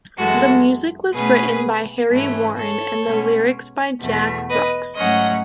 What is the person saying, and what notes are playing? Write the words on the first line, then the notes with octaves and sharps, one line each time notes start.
The music was written by Harry Warren and the lyrics by Jack Brooks.
F#2 E3 G#3 F#4 A4
B2 A3 C#4 G#4 B4
G#2 E3 A3 C#4
A4 C#5
B2 G#3 C#4
E2 B2 A3
B4 D#5
G#2 F#3 A3 C#4 D#5 F#5